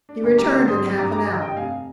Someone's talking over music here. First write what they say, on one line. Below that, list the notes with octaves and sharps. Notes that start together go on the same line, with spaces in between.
He returned in half an hour.
D4
D2
G3 A#5 D6
D3
G#1 C6 D#6
G3
G2 A#5 D6
G2 A#5 D6
D3 D#5
G2 D#5 G5
F1 F5 G#5